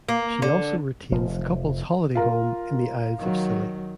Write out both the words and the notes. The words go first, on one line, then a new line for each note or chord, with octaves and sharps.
She also retains the couple's holiday home in the Isles of Scilly.
A#3
D3
F1 F3
F4 A#4
D#3 F#3